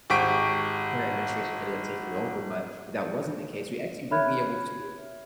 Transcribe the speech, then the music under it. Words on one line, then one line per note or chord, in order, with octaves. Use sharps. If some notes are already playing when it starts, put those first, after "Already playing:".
current administration ended up taking over, but if that wasn't the case, we actually would be able to,
G#1 G4 C#6 B6 D7
C#5 E5 B5 F6 F#6 G#6